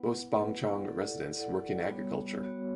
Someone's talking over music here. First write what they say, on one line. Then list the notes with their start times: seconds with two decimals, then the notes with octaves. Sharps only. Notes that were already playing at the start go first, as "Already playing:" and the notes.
Most Bang Chang residents work in agriculture.
Already playing: B3 E4 B4 F#5
0.36 B3 E4 B4 F#5
0.86 E4 A4 D5 F#5
1.38 E4 A4 D5 F#5
1.90 G3 B3 F#4 C#5
2.41 G3 B3 F#4 C#5